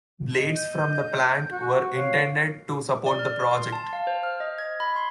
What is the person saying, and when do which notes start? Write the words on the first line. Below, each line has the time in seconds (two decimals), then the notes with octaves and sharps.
Blades from the plant were intended to support the project.
0.37 D#5
0.56 G6
1.52 F#4
1.96 C#5 F5
3.06 D5
3.19 F6
3.51 C6
3.72 A5
3.93 F5
4.07 C5
4.23 F6
4.40 D#5
4.58 G#6
4.80 B5
4.96 C6